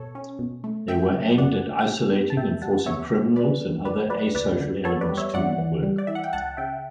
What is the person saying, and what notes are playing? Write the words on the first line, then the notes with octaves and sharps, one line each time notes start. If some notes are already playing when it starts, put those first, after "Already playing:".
They were aimed at isolating and forcing criminals and other asocial elements to work.
Already playing: B2 A4 C#5
C#4
B2
A3
F#2 E5 G5
F#3
F#2 D5 F#5
D3
A2
B3
A5
A2 E5 G5
G3 F#5 A5
B3 C#5 E5
G3
D2 B4 D5
D3
D2 B4 D5
F#3 B4 D5
D2 B4 D5
D3
B3 A4 C#5
B4 D5
G3
C#5 E5
G2 D5 F#5
E3
G3
D5
E3 E5
F#5
G5
C#2 F#5 A5
C#3 E5 G5